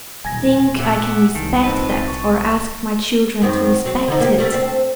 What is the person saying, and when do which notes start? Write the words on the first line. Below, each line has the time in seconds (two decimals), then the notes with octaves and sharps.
Think I can respect that, or ask my children to respect it?
0.25 D#1 B1 G#5 G#6 A#6
0.79 A#2 E5 F#5 D6
1.35 C2 D#3 A5
1.63 A#2 C4 D#4 B4
2.08 C#6
3.42 F#2 D#3 C4
3.85 F#3 C4
4.08 D3 F3 D#4
4.20 A#3 D#4 G4
4.38 G3 A3 C4
4.54 C4 D4